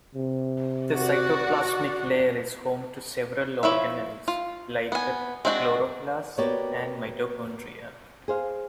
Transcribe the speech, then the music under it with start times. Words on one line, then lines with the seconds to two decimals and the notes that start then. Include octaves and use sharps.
The cytoplasmic layer is home to several organelles, like the chloroplasts and mitochondria.
0.15 C3
0.93 F#4 D5 F#5
3.63 F3 E4 C#5 E5
4.28 F4
4.92 B3 G#5
5.45 G#3 C4 D4 E4 F#4
6.38 A#3 B3 F#4 G4 C#5 D5
8.28 G#4 C5 F5